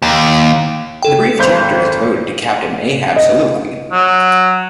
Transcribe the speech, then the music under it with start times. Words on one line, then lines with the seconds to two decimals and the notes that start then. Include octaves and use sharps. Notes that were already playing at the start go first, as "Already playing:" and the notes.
The brief chapter is devoted to Captain Ahab's soliloquy.
0.02 D#2
1.03 A4 G5
1.39 G#1 C5 G6
3.16 D#5
3.92 F#3